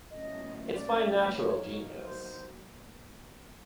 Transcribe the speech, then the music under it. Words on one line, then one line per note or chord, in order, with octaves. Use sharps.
It's my natural genius.
A2 F#3 A3 C#4 D#5
D5
F#3 A#3 D#4 F#4 C#5
C5